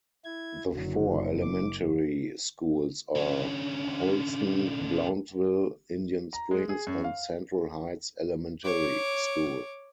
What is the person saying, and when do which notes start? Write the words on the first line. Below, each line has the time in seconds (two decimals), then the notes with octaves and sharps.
The four elementary schools are Holston, Blountville, Indian Springs, and Central Heights Elementary School.
0.25 E4 G#6
0.74 F#1 D3 F#3
1.41 D6
3.16 D3 C#4
6.33 A#5
6.51 G#3
6.69 G#4
6.87 F#2
7.04 F5
8.64 C#5 D6